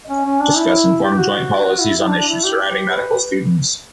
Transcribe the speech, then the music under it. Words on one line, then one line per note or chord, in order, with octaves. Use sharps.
Discuss and form joint policies on issues surrounding medical students.
C#4
C#4
D4
E4
G4
F#4
F#4
E4
E4
D4
D4
E4
G4
B4